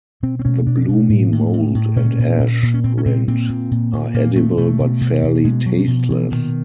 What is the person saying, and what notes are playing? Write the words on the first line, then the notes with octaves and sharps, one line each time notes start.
The bloomy mold and ash rind are edible but fairly tasteless.
B2 C4
C4
B2 C#4
B2 D4
B2
A2
A2
A2
A2
A#2 C#4
A#2
A#2
A#2
C#4
A#2 C4
C#4
A#2 C4
A#2 C4
A#2
A#2
A#2
A#2 A#3
A#2 A3
B2 A3
B2
B2
B2
B2 G#3
B2 F#3
B2 F3
B2 E3
A#2 D#3